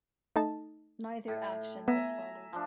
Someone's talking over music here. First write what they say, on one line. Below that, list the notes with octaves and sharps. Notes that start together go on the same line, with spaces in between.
Neither action was followed.
A3 D#4 A5
A2
B3 E5 G#5 A#5
F3 D4